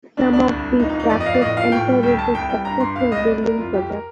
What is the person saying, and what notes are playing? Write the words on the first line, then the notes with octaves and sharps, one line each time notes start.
Some of these chapters entered into successful building projects.
D2 D4
D2 D4
C2
C2
D#2 D#4
D#4
D#2
D#4
F2 D5
D#5
F2 F5
D5
A2 D#5
F3 F5
A2 G5
G3
D2 G5
D2 A5
C2 G5
G3 G5
G2 A#5
G2 C6
C2 F5
C2 D#5
C2 D5
C2 A#4
F2 F4
F2 G4
A#4